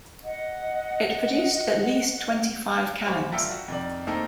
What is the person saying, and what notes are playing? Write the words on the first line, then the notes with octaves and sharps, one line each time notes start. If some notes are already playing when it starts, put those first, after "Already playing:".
It produced at least twenty-five canons.
D#5 F#5
C5 F#5 G#5 B5 C#6 D6
G1 F4 E5 G5 C#7
F#4
F2 D#3 D5
A3 A#3 C4 D#4 A4 A#4